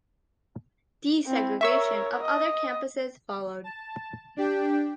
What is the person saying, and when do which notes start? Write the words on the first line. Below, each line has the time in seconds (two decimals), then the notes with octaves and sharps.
Desegregation of other campuses followed.
1.26 C4 E4
1.61 A#4 C#5 E5 C#6 E6
2.22 D#5
3.64 A5
4.37 D4 G4 G5